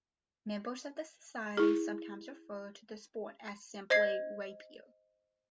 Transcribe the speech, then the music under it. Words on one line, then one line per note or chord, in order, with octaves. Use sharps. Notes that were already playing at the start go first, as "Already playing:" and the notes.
Members of the society sometimes refer to the sport as simply rapier.
E4 G#4
C5 D#5 G#6 C7